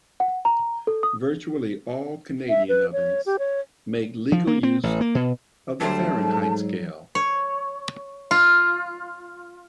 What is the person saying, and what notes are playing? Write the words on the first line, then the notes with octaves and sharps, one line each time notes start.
Virtually all Canadian ovens make legal use of the Fahrenheit scale.
F#5
A#5
A4
D#6
E5
B4
C#5
G4
C#5
F3
A#3
C4
A1
A#3
B2
D2 F#3 G3 A3 C5 A5
G#2
C#5
F4